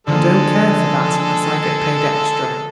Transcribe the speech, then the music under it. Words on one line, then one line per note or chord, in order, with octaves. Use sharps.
I don't care for that, unless I get paid extra.
D3 F3 G#3 A#3 A4